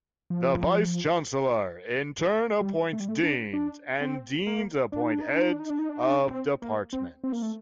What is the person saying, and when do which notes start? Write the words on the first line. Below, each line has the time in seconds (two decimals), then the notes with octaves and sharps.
The Vice Chancellor in turn appoints deans and deans appoint heads of departments.
0.30 F3
2.61 G3
2.93 A3
3.00 G3
3.09 A3
3.23 D4
3.53 D4
4.01 C4
4.47 A#3
4.92 D4
5.02 D#4
5.12 D4
5.21 D#4
5.31 D4
5.40 D#4
5.50 D4
5.60 D#4
5.70 D4
5.79 D#4
5.89 D4
5.99 D#4
6.08 D4
6.31 C4
6.62 A#3
6.93 C4
7.24 C4
7.32 A#3
7.42 A3